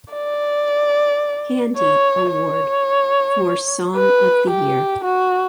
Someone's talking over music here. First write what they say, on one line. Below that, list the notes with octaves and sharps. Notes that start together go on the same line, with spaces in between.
Handy Award for "Song of the Year".
D5
C#5
C#5
B4
G4
F#4